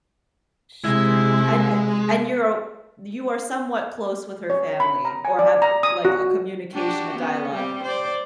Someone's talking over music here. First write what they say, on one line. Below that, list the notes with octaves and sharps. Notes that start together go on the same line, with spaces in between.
strange, and, I eh, and you're o you are somewhat close with her family or have, like, a communication, a dialogue
C3 G#3 E4
C#5
B5
A#5
G#5
D5
A#5
D#6
F#4
D4 F#4 G4
B3 C#4
G3 C4 G4
C5 D5